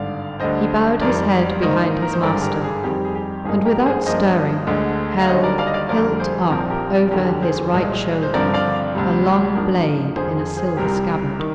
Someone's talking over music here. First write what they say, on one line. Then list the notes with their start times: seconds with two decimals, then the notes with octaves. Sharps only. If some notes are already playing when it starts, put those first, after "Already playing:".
He bowed his head behind his master, and without stirring held hilt up over his right shoulder a long blade in a silver scabbard.
Already playing: G#1 G2 D3 D5 F5
0.40 D2 D3 G3 D4 C5 D#5
1.01 F2 D#3 G3 A#4 D5
1.62 G#2 D#3 A#3 C5 D#5
2.02 A#4
2.13 C5
2.23 G#1 G2 D3 A#4 D5
2.36 G#4
2.43 G4 A#4
2.64 G#4
2.84 F2 D#3 G3 C4 G4
3.05 G#4
3.15 G4
3.45 G#1 G2 F3 A#3 D#4 G#4
3.65 G4 A#4
3.86 G#4 C5
4.06 G2 F3 A#3 D4 C5 D#5
4.67 D2 D3 G#3
5.21 F5
5.28 D#2 D3 G3 C5 D#5
5.44 A#4 D5
5.59 D5 F5
5.67 D#5
5.74 D5 F5
5.89 F1 F2 D3 G3 A#4 D5
6.20 G#4 C5
6.50 A#1 A#2 F3 C4 A#4
6.60 C5
6.70 G4 A#4
7.11 F1 D#2 D3 G4 A#4
7.42 G#4 C5
7.72 C2 A#2 G#3
8.23 C5
8.34 G2 D3 F3 C4 A#4 D5
8.54 D5 F5
8.95 D2 C3 G3
9.55 G#2 F3 A#3 D4
10.16 F2 D3 F3 G#4 C5
10.37 G#4
10.57 G#4 C5
10.68 G#4
10.77 C2 C3 G3 G4 A#4
11.39 D#3